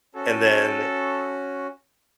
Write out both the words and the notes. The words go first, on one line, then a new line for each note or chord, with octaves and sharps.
and then, eh
C#4 F#4 A4